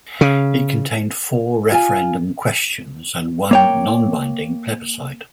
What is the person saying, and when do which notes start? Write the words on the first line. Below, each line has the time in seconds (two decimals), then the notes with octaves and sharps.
It contained four referendum questions and one non-binding plebiscite.
0.21 C#3
1.72 F4 G#5
3.51 A#3 C#5 G5